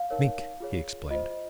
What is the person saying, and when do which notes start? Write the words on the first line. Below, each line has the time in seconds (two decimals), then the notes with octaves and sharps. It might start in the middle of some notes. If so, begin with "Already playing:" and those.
"Mink!" he explained.
Already playing: F5
0.10 D#4 A#4 C#5
0.60 F4 G#4 C#5
1.10 F4 C5 D#5